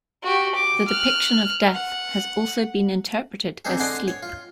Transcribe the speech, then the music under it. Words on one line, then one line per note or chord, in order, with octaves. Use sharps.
The depiction of death has also been interpreted as sleep.
F#4 G4
D6
F6 F#6
F#5
C4 D4 D#4 G#4 A4
D3 D5 D#5 F#5 G#5 C6
C#5
F4